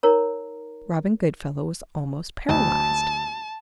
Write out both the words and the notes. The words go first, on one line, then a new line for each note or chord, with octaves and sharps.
Robin Goodfellow was almost paralyzed.
D#4 A#4 C#5 A#5
D2 A5